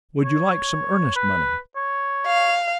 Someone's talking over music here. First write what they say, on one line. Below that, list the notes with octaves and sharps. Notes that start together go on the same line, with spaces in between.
"Would you like some earnest-money?"
C#5
B4
C#5
F5